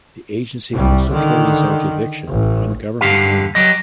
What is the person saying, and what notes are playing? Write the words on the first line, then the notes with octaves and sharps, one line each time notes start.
The agency also carries out eviction on government land.
C2 G3
D3 D#3
A1
G2 D3 G4 F5
F#3 G4 D#5